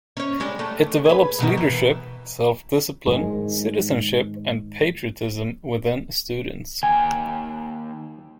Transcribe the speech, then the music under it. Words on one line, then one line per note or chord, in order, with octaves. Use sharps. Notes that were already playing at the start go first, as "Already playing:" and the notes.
It develops leadership, self-discipline, citizenship, and patriotism within students.
C#4 C#5
G3 G#3 D4
A3
G#4 B4
G2 B2 D#3
E3
G#2 D#3 G#3
D#2 G5 G#5